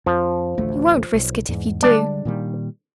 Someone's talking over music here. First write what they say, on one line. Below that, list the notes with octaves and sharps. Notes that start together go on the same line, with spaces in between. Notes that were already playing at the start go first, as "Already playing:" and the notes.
'You won't risk it if you do.
F2 F3
A1 D2 A3
B1
E2 G#2
D3 G3 G#3 D4 D5
A#2 D#3 G3